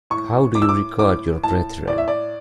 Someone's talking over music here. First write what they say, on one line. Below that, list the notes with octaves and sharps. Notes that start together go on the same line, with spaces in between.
How do you regard your brethren?
A2 C#6
A2 D6
E6
D6
A2 D6
A2 A5
A2 D5
E5
D5